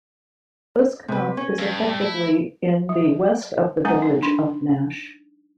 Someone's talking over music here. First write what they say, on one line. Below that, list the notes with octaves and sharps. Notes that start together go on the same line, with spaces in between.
Uskmouth is effectively in the west of the village of Nash.
C3 B4
C#4
G2
A3
E4
F#3
F#3 G#3 C#4 G#5 A#5
D#4
D4 C6